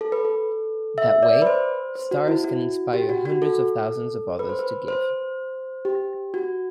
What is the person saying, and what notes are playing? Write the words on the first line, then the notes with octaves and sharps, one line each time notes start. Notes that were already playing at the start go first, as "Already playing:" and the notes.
That way stars can inspire hundreds of thousands of others to give.
A4
B4
A4
E5
D5
B4
C5
C5
F#4
E4
F#4
G4
F#4
F#4
A4
B4
C5
B4
C5
G4
F#4